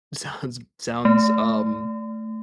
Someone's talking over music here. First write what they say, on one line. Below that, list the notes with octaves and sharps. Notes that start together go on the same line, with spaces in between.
Sounds sounds, um
A3